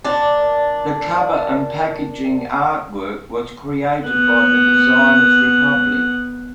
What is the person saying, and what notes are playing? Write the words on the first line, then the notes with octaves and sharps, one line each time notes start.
The cover and packaging artwork was created by The Designers Republic.
A#2 D4
B3 F#5